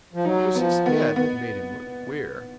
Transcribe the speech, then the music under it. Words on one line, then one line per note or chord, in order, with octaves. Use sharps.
It was his head that made him look queer.
F3
F#3 D#4
F3 B3
D#3 B3
D#3 B3